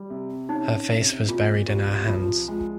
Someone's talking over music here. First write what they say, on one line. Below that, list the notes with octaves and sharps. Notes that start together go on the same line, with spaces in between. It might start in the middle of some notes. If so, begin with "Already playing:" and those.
Her face was buried in her hands.
Already playing: G3
C3
C#4 D#4
C3
A#2 F4
C2 G4
F3 F4
G#3